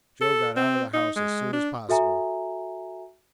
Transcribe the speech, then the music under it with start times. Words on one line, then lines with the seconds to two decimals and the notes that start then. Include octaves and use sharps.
Joe got out of the house as soon as possible.
0.21 A4
0.57 C4
0.94 D#4
1.16 G#3
1.53 D4
1.89 F#4 A4 E5 G#5 A#5